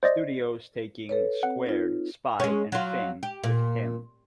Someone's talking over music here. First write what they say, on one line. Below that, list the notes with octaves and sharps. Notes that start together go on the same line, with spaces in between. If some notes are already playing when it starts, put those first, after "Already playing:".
Studios, taking "Squared", "Spy", and "Finn" with him.
C5 D5 D#5
A4 B4 C#5
C4 F#5
D#4 F4
G#3 C#4
F#3 F4
G4
A#2